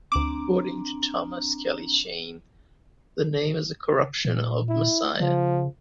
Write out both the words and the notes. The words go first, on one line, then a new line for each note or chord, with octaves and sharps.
According to Thomas Kelly Cheyne, the name is a corruption of Maaseiah.
D2 C4 D4 A#5 D6
A#2
E4
C#3 F3